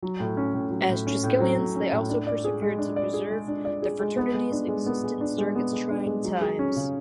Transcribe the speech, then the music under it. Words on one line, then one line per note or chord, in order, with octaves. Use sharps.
As Triskelions they also persevered to preserve the fraternity's existence during its trying times.
F#3
A2
C#4
A2
F#3
A2
C#4
A2
F#3
A2
C#4
A2
D4
D5
G#4
G#3
D4
D5
G#4
G#3
D4
D5
G#4
G#3
B3
G#3
D4
G#3
B3
G#3
D4
G#3
B3
G#3
D4
G#3
F#3
G#4
C#4
C#3